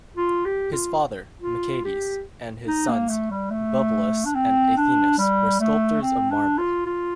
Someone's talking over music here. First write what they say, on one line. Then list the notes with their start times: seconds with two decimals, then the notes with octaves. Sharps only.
His father, Micciades, and his sons, Bupalus and Athenis, were sculptors of marble.
0.17 F4
0.45 G4
0.72 F4
1.42 F4
1.84 G4
2.67 D#4
2.88 A#3
3.09 A3
3.31 G3
3.51 A3
4.25 D4
4.35 C4
4.77 D4
5.18 G3
5.60 A3
6.02 C4
6.31 D4
6.58 F4
6.86 F4